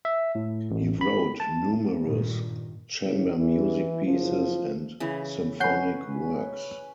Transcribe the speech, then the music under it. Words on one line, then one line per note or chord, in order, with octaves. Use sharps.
He wrote numerous chamber music pieces and symphonic works.
E5
A2
A1
B5
A5
G2 A#2 D#3
F#1 F#2
E2 E3
F#1 F3
C#3 E3
C#4 B4 F#5 G6 C7